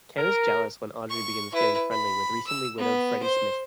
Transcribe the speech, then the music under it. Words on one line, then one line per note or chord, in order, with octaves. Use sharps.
Ken is jealous when Audrey begins getting friendly with recently widowed Freddie Smith.
A#4
C#6
E4 B4
B5
E6
B3
C5